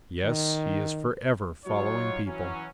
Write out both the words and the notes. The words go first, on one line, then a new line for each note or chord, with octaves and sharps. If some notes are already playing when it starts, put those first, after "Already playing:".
Yes, he is forever following people.
D#3
F#3 D#4 F4 F#4 C#5
E3 F#3 C#4